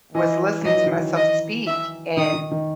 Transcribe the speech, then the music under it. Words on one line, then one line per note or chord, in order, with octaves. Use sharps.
was listening to myself speak and
E3 D#5
F#3 D#5
E3
D#3
E3
D#5
E5
D#3 D#6
D#3
D#3